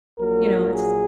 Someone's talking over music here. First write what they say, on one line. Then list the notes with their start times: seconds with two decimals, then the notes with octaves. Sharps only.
You know, it's
0.18 A#1 A#2 F#3 A#4
0.72 G#4